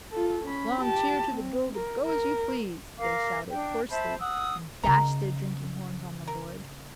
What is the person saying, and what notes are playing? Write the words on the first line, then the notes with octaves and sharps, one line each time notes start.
"Long cheer to the Guild of Go-as-you-Please!" they shouted, hoarsely, and dashed their drinking-horns on the board.
F4 A4
C#4 B5
G4 A5
C4
A#4
A#4
A#4 F5 D6
D4 G5
C5 E5 A5 B5
F#5 D#6 E6
C#3 C#4 A#4 D#5 A#5
A#4